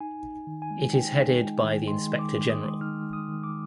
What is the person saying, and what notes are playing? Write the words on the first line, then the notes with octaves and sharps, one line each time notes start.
It is headed by the Inspector General.
D#4 G#5
D#4
D#3
G#5
G#3
D#4 G5
D#4
G#3
D#3
G#3 C6
D#3
D6
D#3
D#6
G#3
D#4 F6
D#3
D#6
D#3
D6